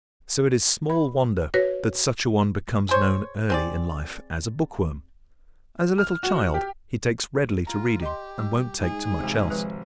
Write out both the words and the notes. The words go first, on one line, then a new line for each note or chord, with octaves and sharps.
So it is small wonder that such a one becomes known early in life as a "book worm." As a little child he takes readily to reading and won't take to much else.
B5
F#4 B4 C#5 A#6
G#4 C5 C#5
C4 G#4 D5
F6
F#4
G4
F4 A#5
G4 D#5 C6
G3
G#2 G#4
G#1 C3
F3 G#3 B4